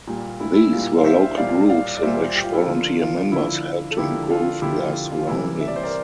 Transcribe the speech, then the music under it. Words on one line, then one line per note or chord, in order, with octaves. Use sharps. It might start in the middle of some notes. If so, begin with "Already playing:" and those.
These were local groups in which volunteer members helped to improve their surroundings.
A#2 G3 A#3
E4
E4
A#2 G3 A#3 F4
F5
C5 E5
E5
A#2 G3 A#3 D5 F5
D5 F5
D5
A#2 G3 A#3 C5 E5
G4
F4
E4 G4
D3 F3 A#3 F4 A4
F4
D3 F3 A#3 E4
A4
D3 F3 A#3 E4 G4
F4 A4
D3 F3 A#3 E4 G4
F4
F4
F4
C3 E3 G3 A#3 E4
E5
D5
C5
A#4 D5